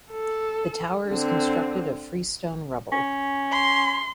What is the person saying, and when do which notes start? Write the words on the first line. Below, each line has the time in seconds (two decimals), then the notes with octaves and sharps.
The tower is constructed of freestone rubble.
0.12 A4
1.09 D3 C4
2.92 C#4
3.52 C6